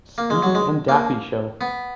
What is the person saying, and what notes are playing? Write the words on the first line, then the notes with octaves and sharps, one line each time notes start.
Speedy and Daffy Show.
A#3
G#3
F#3
G#3
A#3
B3